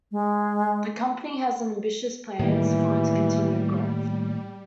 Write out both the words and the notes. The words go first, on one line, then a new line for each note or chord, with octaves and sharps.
The company has ambitious plans for its continued growth.
G#3
A2 D#3 E3 G3 A#3